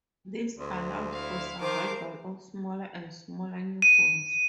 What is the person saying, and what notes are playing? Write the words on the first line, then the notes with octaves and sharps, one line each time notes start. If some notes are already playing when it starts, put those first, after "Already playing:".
This allowed for survival of smaller and smaller newborns.
D2 C5
E4 F5
D#3 F3 A#4 C5 D6
D#7